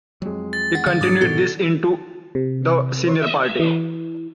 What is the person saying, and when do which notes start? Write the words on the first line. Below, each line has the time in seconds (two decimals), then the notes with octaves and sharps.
He continued this into the senior party.
0.22 F2 F#3 G#3
0.53 A6
0.75 F#5
0.86 D3 F5
1.01 G#2 F3 D4 D6 D#6 G#6
1.21 B2 E4 A4
2.35 C3
3.59 E3